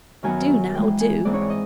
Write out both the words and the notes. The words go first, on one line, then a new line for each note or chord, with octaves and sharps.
Do now, do.'
F#2 D#3 F#3 B3 G#5
G#2 E3 G#3 G5
G#5
G#2 E3 G#3 C4 D5
C#5
D5
D#5